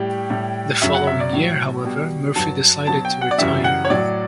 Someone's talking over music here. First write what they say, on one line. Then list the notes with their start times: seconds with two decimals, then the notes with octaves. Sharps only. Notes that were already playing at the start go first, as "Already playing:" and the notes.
The following year, however, Murphy decided to retire.
Already playing: A2 G3 G4
0.30 A2 G3
0.82 F#2 C#3 F#3 E5
0.95 F#5
1.07 E5
1.20 D5
1.33 A2 F#3
1.84 B2 G3
2.36 G2 F#3 A5
2.87 B2 F#3 A5
3.05 G5
3.21 F#5
3.31 D5
3.38 F#2 C#3 E3 G3 E5
3.64 F#5
3.85 C#5
3.90 A2 F#3 D5